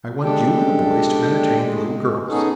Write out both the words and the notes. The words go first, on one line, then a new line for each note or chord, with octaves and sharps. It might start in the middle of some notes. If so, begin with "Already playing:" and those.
I want you and the boys to entertain the little girls.
G#3 D4 G4 A4 G5
G#3
B3 C#4 D#4 G#4 A4